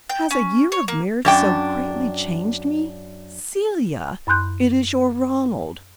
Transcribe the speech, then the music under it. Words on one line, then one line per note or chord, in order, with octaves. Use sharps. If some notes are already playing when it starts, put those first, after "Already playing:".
Has a year of marriage so greatly changed me? Celia, it is your Ronald!
G5
C#4
C#5
A#3
F#2 D4 G5
F#2 B5 C6 F#6 G6